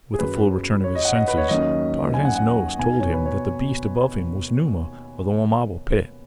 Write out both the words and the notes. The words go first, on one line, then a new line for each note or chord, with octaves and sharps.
With the full return of his senses Tarzan's nose told him that the beast above him was Numa of the Wamabo pit.
G#4
F#2 F#3 C#4 B4
C#5
D#5
F#5
D#5
B4
C#5
D#2 D#3 F#3 C#4 D#5
G#5
F#5
F#5
B2 B3 D#4 G#5
C#5
B4
C#5